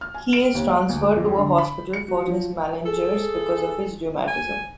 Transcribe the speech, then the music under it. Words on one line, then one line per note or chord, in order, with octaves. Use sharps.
He is transferred to a hospital for malingerers because of his rheumatism.
F6
G#5
D7
D#2
F5
D2
F2
D3
B5
C#7
F#4
F3
G#4 A4
G#5